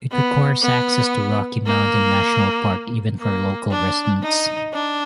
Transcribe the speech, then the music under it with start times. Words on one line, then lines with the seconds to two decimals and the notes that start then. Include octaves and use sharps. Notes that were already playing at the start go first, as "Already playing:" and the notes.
It requires access to Rocky Mountain National Park even for local residents.
0.11 B3
0.62 B3
1.66 A#3
3.20 A#3
3.71 D4
4.22 D#4
4.74 D4